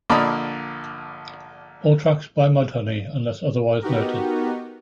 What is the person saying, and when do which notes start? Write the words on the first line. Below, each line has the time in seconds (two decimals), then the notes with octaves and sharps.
All tracks by Mudhoney unless otherwise noted.
0.10 A#1 D3 A#3 D5 D#5 B5
3.82 B3 D#4 F#4 G4 A#4